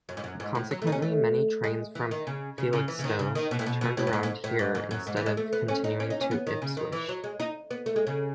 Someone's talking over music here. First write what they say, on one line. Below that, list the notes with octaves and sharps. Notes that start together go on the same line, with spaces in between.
Consequently, many trains from Felixstowe turned around here instead of continuing to Ipswich.
F#2
G#2
F#2
G#2
A2
F#3
A3
D#4
C#4
A3
G#3
E3
D#3
C#3
C#3
C#3
E3
C#3
D#3
C#3
D#3
B2
A2
B2
B2
A2
F#2
G#2
G#2
A2
G#2
G#2
F#2
G#2
E3
G#3
A3
B3
C#4
D#4
C#4
D#4
C#4
B3
D#3
C#3
D#3
E3
F#3
G#3
D#4
B3
A3
G#3
C#3